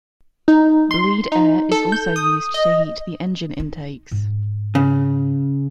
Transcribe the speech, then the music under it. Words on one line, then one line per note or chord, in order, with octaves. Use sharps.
Bleed air is also used to heat the engine intakes.
D#4
C6
D#4
A4
G6
D#6
D#5
D#4
G#2
C#3